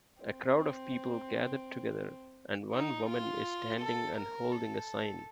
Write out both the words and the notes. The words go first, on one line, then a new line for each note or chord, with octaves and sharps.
A crowd of people gathered together and one woman is standing and holding a sign.
C4
D#4
F4
A4
A#4
A4